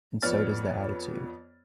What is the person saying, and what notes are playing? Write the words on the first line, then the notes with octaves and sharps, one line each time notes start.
And so does the attitude.
F2 B3 C#5 D5 F6 A6